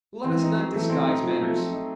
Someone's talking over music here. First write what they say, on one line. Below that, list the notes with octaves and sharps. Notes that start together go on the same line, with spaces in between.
Let us not disguise matters.
E3 C4
D#4
F#3
E3 A3
C4
D#4
F3 F#3
A3
C4
D#4